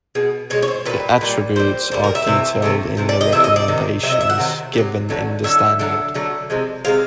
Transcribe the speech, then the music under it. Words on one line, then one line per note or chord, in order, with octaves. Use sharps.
The attributes are detailed in the recommendations given in the standard.
B2 G#3
B2 G#3 C#5
C#5
C5
A#2 G3 B4
A#2 G3
A#2 G3 C5
A#2 G3 C5
A#4
E5
C3 E3 A3
C3 E3 A3
C3 E3 A3
D5
D#5
C3 E3 A3 E5
D#5
D5
C3 D#3
C3 D#3 F#3 E5
D#5
E5
F#5
C3 D#3 F#3
C3 D#3 F#3
D3 F#3 A3
D3 F#3 A3 E5
D3 F#3 A3
D3 F#3 A3
C3 F3 G#3
C3 F3 G#3 F5